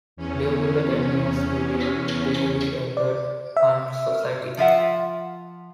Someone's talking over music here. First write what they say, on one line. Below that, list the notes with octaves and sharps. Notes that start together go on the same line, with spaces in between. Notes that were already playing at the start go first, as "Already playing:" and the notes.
During the ten years he lived there, he entered country society.
E2 C#4
D5
E5
F3 F4 E5 F#5